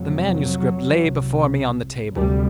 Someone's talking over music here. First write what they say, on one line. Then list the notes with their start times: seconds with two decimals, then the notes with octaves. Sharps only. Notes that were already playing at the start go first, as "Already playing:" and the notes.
The manuscript lay before me on the table.
Already playing: F1 F2 C3 F#3
0.99 C2 C3
2.15 D2 C3 G3